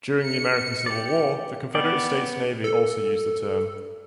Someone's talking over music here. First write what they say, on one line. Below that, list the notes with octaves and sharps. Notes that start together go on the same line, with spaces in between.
During the American Civil War, the Confederate States Navy also used the term.
C#7
G4 D5
B3 D5 G5
A4